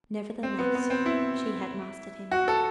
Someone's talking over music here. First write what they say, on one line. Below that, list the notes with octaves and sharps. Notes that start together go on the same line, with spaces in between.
Nevertheless she had mastered him.
C4
B3
B3
C4
E4
F#4
A4